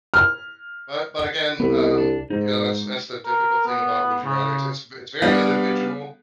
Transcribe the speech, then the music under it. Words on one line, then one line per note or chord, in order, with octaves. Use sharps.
but, but again, um, you know, that's, that's the difficult thing about would you rather. It's, it's, it's very individual,
F6
C2 B3 B4 D5
D4
G#2 G#3 D#4
A#4
B3
C#3
G3 B3 D4 F5